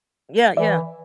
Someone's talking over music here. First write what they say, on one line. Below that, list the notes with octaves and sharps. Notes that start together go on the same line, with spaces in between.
Yeah, yeah.
E3 D5 E5